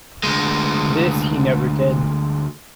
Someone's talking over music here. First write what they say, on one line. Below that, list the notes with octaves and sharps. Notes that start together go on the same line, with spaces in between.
This he never did.
D2 G#3